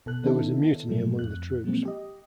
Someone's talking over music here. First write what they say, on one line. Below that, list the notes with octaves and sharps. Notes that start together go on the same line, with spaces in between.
There was a mutiny among the troops.
B2 A4 F#6
D#3 B3 C#4 D#4 E4 A4
G#2 B2 F3 F#3 A3
F2 F#6
A#2 F3 F#3 G#3 A#3 C4
G4 D#5